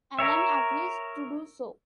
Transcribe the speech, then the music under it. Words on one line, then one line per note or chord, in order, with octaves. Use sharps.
Ellen agrees to do so.
A#4 C#5 E5